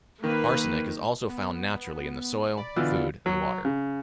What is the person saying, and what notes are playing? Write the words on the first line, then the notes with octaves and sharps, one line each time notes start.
Arsenic is also found naturally in the soil, food and water.
D#3 A#3 B4
B3
D5 B5
B2 D3 E3 F4
F#3
C#3